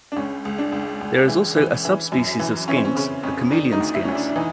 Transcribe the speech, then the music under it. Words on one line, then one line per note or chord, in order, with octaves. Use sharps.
There is also a sub-species of skinks, the chameleon skinks.
D4
C#2 C#4
C#2
D4
C#2
C#2
E3
E3
E3
F#2
E3
E3 C#4
C4
C#4
C#3 C#4
F2 C#4
D#3 D4
D#4
D2
E4
D2 C#4
D4
D4
E3 D#4